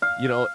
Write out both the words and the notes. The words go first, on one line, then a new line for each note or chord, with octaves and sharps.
You know
F5